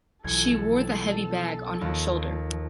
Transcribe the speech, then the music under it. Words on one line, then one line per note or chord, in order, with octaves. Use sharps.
She wore the heavy bag on her shoulder.
B1 F#2 E3 F3 A4 G#6 C#7
D#2 F3